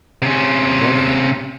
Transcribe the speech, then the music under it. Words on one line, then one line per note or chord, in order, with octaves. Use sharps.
The Runner?...
C3 C#4